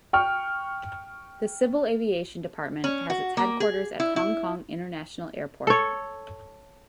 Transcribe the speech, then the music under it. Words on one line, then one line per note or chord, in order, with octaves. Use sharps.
The Civil Aviation Department has its headquarters at Hong Kong International Airport.
G5 C#6 F6
C#4
F#4
A#3
G#4
E4
E4
A4 C#5